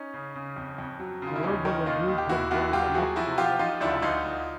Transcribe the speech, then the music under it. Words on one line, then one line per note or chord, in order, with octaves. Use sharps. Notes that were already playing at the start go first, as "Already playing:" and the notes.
However the group had broken up by that time.
Already playing: C#4 D#4
C#3
C#3
F2
F2
F#3
C#3
F4
E4
D#2 C#4 D#4
D#3
D#2 D#4 F4
D#2
G4
D#2 E4 F#4
D#2 E4 F#4
F#3 F4 G4
F#3 F#4 G#4
F3 E4 F#4
F3 F4 G4
F3 D#4 F4
D2 D4 E4
D2 D#4 F4
D2